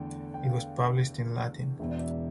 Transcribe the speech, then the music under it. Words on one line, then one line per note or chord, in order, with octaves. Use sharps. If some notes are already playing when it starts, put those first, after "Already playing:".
It was published in Latin.
Already playing: E2 D3 A3 G5
G5
F5
E1 E2 B2 E5
D5
E5